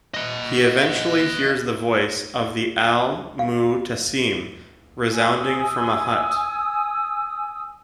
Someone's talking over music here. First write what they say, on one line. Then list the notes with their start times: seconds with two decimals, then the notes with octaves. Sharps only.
He eventually hears the voice of the Al-Mu'tasim resounding from a hut.
0.14 D#5 F#5
3.39 F5
5.12 G#5 D#6 E6